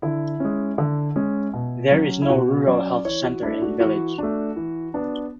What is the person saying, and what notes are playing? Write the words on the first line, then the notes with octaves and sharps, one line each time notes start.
There is no Rural Health Centre in village.
D3 E4
G#3 C#4
D3
G#3 C#4
B2
F#3 C#4
E4
B2 F#4
F#3 C#4 D5
E3 C#5
F#4
A3 D4 E4
F#4
E3 F#4
A3 D4
E3
B3 D4